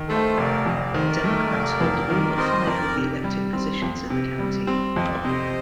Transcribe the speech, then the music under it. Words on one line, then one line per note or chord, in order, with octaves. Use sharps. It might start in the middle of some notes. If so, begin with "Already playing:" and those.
Democrats hold all but five of the elected positions in the county.
Already playing: D#3
A3 A4 C5
F1 A#4 D5
F2 D#5
D5
D#3 C5
A#4 D5
A3
F1
F2
D#3
C4 C5 D#5
F2 A#4 D5
C3
G3
C4
F2
C3
G3
C4
F2 D#5
D5
C3 C5 D#5